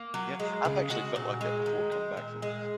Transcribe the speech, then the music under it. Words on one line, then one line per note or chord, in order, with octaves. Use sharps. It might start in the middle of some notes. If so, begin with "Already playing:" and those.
Yeah. I've actually felt like that before coming back from,
Already playing: A#3
F#3
G#3
C#3
G#3 F#4 F#5
A#2
G#3
D#3
G#3
A#2
G#3